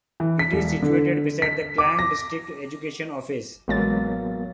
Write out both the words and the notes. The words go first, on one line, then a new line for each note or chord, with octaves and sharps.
It is situated beside the Klang District Education Office.
E3
B6
E1
D3
B6
D6
A#6
A1 F#3 G#3 A#3 B3 A6